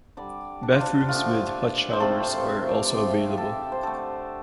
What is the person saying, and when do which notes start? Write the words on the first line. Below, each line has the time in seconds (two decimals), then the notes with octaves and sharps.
Bathrooms with hot showers are also available.
0.17 D3 G3 D5
0.63 D4
0.72 F4
0.80 D4
1.01 G4
1.08 D3 F3 A3 F4
1.93 C5
2.00 C3 F3 A3 A4
2.23 C5
2.46 C5
2.69 D5
2.86 D5
2.91 C3 F3 A3 C5
3.28 G4
3.38 A4
3.72 C5
3.83 D3 A3 A4